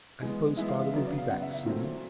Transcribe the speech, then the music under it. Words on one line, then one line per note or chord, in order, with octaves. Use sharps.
'I suppose father will be back soon?'
E3 G#3 B3
E3 G#3 B3 E5
F5
E5
C#3 F#3 B3 D5
D5
F5
C#3 F#3 B3 F#5
E5
E5
A#2 F#3 A3 C4